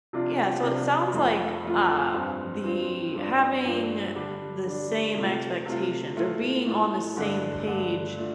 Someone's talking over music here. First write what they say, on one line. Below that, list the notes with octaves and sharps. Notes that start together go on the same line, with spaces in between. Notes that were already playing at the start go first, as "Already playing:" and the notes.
yeah, so it sounds like, uh, the having the same expectations, or being on the same page
C3 F3 D4 F4
C3 F3 D4 F4
F2 F3 A3 F4
F2 F3 A3 F4
G2 F3 C4 F4
G2 F3 C4 F4
G2 F3 D4 F4
G2 F3 D4 F4
D3 G3 D4
D3 G3 D4
C3 A3 F4
C3 A3 F4
A2 A3 F4
A2 A3 F4
G2 D3 A3 D4
G2 D3 A3 D4
A3 D4 F4